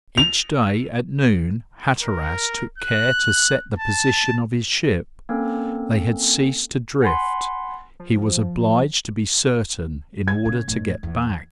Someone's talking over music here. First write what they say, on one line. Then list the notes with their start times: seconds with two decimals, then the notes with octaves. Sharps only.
Each day at noon Hatteras took care to set the position of his ship; they had ceased to drift; he was obliged to be certain in order to get back.
0.18 F7
2.03 A#4
2.78 F#6
3.79 A5
5.29 A#3 C4 C#4 A4
7.02 F#5 G#5 B5 C6
8.00 F3
10.28 G#6
10.45 A#2 C#3
10.68 A2 D#3
11.03 E2